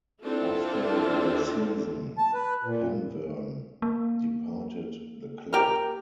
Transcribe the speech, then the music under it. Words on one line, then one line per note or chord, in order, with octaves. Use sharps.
After the season, Penverne departed the club.
C4 D4 E4 F4 A4
A5
B4
A#2
A#3
G4 A#4